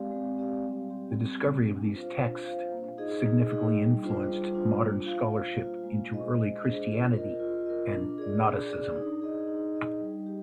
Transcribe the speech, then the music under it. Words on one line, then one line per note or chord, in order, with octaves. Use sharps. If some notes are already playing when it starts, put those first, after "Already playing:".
The discovery of these texts significantly influenced modern scholarship into early Christianity and Gnosticism.
Already playing: G#3 C4 G4 D5 F5
G#3
C4 G4 D5 F5
G3
C4 G4
G3
C4 G4
D4
F4 C5 F5
D4
F4 C5 F5
A#3
D#4 G#4 D#5
A#3
D#4 G#4 D#5
G3
D4 F4 C5
G3
D4 F4 C5
A#3
F4 C5 F5
A#3
F4 C5 F5
G#3
D4 G#4 C5 D#5
G#3
D4 G#4 C5 D#5
F4
A#4 D#5
F4
A#4 D#5
D4
G#4 D5
D4
G#4 D5
D#4
G#4 D#5
D#4
G#4 D#5
G3
G4